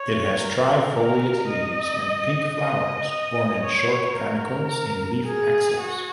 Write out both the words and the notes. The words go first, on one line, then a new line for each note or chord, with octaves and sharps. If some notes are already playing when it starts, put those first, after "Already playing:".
It has trifoliate leaves and pink flowers borne in short panicles in leaf axils.
Already playing: C#5
A#4
A#4
D#5
D#5
D#5
C#5
A#4
G#4
F#4